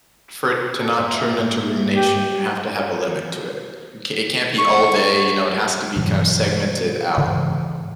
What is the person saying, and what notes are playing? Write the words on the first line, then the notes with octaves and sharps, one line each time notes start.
for it to not turn into rumination, you have to have a limit to it. You ca it can't be all day, you know, it has to be kind of segmented out
A4
G#2 A#3 E5
G4
C#6
G2 B2 E3 F#3
G#2 C#3 E3